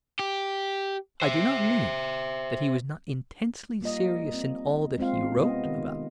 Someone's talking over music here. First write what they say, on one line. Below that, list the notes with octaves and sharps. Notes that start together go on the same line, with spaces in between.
I do not mean that he was not intensely serious in all that he wrote about the war.
G4
C5 E5
G3 A#3 F4 D#5
C4
G#3 C4 F4 F5
C3 B3 D#5
D#3